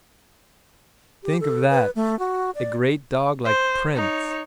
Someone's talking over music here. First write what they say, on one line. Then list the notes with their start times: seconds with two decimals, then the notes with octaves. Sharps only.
"Think of that--a great dog like Prince!"
1.23 G4
1.40 A4
1.70 B4
1.95 A3
2.19 F#4
2.55 D5
3.45 C5
3.94 D#4 C#5